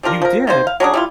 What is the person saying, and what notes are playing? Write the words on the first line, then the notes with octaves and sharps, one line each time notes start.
You did?
G3 D4 F4 A#4
F3 A#4
D#3 A#3 C5
F5
F#3 C#4 D4 G#4
G3 E4 F4